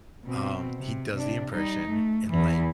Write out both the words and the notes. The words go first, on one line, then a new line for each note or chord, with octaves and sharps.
um, he does the impression and, like
B2 C4
C3
C3 D4
G3 D#4
A3
E2 E3